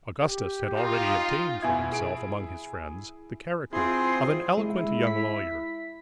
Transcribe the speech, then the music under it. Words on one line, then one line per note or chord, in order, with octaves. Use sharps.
Augustus had already obtained for himself among his friends the character of an eloquent young lawyer.
G4
D#4 F4 F5
B2 E4 E5 G#5 G#6
E4 G#4 D7
C4 E4 F4 G#4 C6
G#3 E4
B6